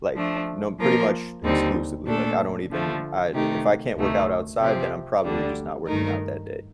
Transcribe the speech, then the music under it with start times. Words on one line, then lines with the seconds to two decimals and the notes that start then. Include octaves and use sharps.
like, no pretty much exclusively, like, I don't even I if I can't work out outside, then I'm probably just not working out that day,
0.16 F3 A3 D4
0.78 F3 A#3 F4 A#4
1.43 D#2 D3 G3 C4 D#4
2.06 A#2 A3 D4 A4
2.70 D3 F3 A3
3.33 C3 D#3 A3 D#4 G4
3.97 D2 C3 D#3 A3 D#4
4.59 C3 F3 C4 G4
5.24 D2 D3 G3 D4
5.87 G2 D#3 A3 D#4 A#4